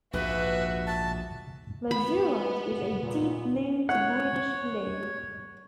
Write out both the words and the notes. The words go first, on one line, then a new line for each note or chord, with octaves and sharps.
Lazurite is a deep blue to greenish blue.
A#1 D#2 G#2 F#4 B4 E5
A5
B3 B5
A#2
C#5 F#5